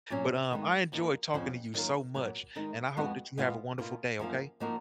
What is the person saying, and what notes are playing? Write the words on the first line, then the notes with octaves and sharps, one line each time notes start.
but, um, I enjoyed talking to you so much, and I hope that you have a wonderful day, okay?
A#2 F#3 C#4
D#3 G#3 B3 D#4
F#2 F3 A#3 D#4
F2 C#3 F3
D#3 F#3 A#3 F4 A#4
A#2 F#3 B3
D#3 G#3 D#4
F2 F3 G#3 B3 F#4
B2 G#3 B3 F4
B2 A#3 F4
F#2 F3 A#3 F4
F3 A#3 D#4 F#4 A#4